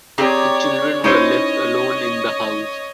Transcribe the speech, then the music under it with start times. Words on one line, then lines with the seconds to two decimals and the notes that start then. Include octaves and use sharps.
The children were left alone in the house.
0.18 C4 G4 G#4 C#5 D5 A#5
1.04 C#4 D#4 E4 C5 C#5 D#5